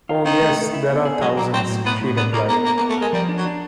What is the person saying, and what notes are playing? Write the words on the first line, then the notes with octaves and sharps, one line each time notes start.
"Oh, yes; there are thousands," she replied.
F4
D#3 C4
A3
A3
E4
B3
G#4
F#3 G#3
F#3 A#3
F#3 C4
A2
A2 B3
A2
B3 D4
A#3 A#4
A#3 B3
A#3 A#4
A#3
B3
A3
G#3 A#4
F3 G3
D4
F#3
D4